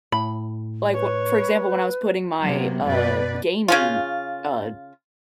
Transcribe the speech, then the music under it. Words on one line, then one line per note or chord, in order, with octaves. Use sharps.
like wh for example, when I was putting my, uh, gaming, uh,
A2 B5
B4 C#5
C3 F#3 A#3 B3
F#2 B2 B4 D5
C#3 C#4 F4